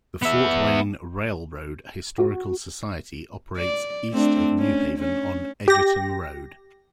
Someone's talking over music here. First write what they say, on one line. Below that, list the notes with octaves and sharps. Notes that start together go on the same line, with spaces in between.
The Fort Wayne Railroad Historical Society operates east of New Haven on Edgerton Road.
B3 E5
F#4
D5
A3 C4 D4
C#4
C#4
G4 A#6